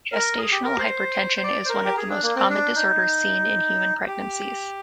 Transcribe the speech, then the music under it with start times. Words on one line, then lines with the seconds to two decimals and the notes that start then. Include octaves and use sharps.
Gestational hypertension is one of the most common disorders seen in human pregnancies.
0.12 A#4
0.38 G#4
0.51 G4
0.65 A#4
0.78 C5
1.37 C5
1.43 D5
1.65 C5
1.69 A#4
1.85 G4
1.97 G#4
2.09 D4
2.23 A#3
2.36 C4
2.50 D4
2.75 D#4
4.07 G4